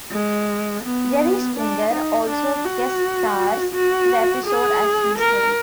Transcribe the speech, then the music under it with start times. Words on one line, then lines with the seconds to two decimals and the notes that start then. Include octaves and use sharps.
Jerry Springer also guest stars in the episode as himself.
0.11 G#3
0.84 B3
1.57 D4
1.92 D#4
2.30 D4
2.65 F#4
3.74 F#4
4.46 G#4
5.19 A#4